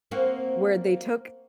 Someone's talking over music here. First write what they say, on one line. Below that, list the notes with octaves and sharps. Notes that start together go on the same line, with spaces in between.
where they took
A#3 C4 F#4